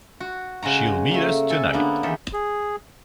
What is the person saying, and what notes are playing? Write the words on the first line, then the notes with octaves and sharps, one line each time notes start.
She'll meet us tonight.
F#4
C#3 G#3 F#4 A#5
A3 A#3
A4 G#5
D3 A#3 B3 D4
E2 D#3 A4 E5
G#4